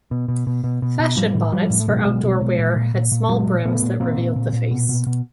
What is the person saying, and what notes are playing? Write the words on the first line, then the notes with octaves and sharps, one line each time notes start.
Fashion Bonnets for outdoor wear had small brims that revealed the face.
B2
B2
B2
B2
B2
B2
A2 F3 G3
A2
A2 F3 G3
A2
A3
B2 F#3 G#3
B2
B2
B2
A#2
A#2
A#2
A#2
A#2 F#3 G#3
A#2
A#2 A3 B3
A#2
A#2 A#3 C4
A#2
A#2
A#2
B2
B2
B2